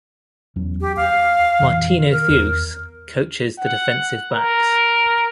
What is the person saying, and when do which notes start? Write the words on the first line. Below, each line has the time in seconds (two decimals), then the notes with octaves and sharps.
Martino Theus coaches the Defensive Backs.
0.56 E2 F#3 C#4
0.81 G4
0.97 D#2 F5
1.62 F2 A#2 E3
2.11 D#3 A#4
2.29 E2
3.58 F#5
4.32 A#4